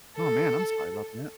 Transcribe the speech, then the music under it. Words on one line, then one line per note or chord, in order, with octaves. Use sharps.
Aw, man, I'm sorry 'bout that.
A4